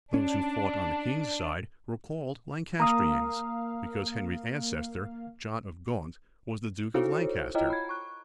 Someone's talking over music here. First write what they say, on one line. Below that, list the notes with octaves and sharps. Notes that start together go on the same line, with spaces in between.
Those who fought on the king's side were called Lancastrians, because Henry's ancestor, John of Gaunt, was the duke of Lancaster.
C#4 D4
A#3 F5 A#5 D#6
D#4 E4 F#4 A4 C5 C#5
E4 F4 C#5 D#5 G5 A#5
B5 G#6
C#6 F#6